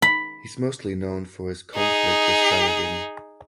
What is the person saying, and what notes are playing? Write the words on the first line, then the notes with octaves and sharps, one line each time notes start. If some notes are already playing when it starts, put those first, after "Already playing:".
He is mostly known for his conflict with Saladin.
B5
D#4 G#4